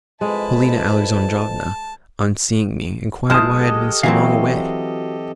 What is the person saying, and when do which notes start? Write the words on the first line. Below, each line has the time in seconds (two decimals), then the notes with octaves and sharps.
Polina Alexandrovna, on seeing me, inquired why I had been so long away.
0.21 F2 G#3 E4 B4 A5
3.30 B1 G#3 E4 G#4 C5 A5 D#6 F6
3.58 G4 A4 D#5
4.03 E3 F#3 C4 F#4 F5